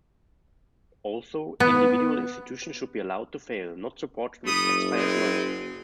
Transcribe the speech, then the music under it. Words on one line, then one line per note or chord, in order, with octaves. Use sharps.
Also, individual institutions should be allowed to fail, not supported with taxpayers' money.
B3
F#1 A3 B5 D#6
G#3 B3 C4